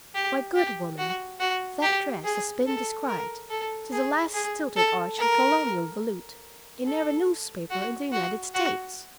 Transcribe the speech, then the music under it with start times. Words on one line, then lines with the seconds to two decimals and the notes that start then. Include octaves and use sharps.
"My good woman, that dress has been described, to the last stilted arch and Colonial volute, in every newspaper in the United States!"
0.14 G4
0.56 G4
0.98 F#4
1.40 F#4
1.82 G4
2.24 G#4
2.66 A4
3.08 A#4
3.50 A4
3.92 G#4
4.34 G#4
4.76 A4
5.18 A#4
6.86 A4
7.70 F#4
8.12 F#4
8.54 F#4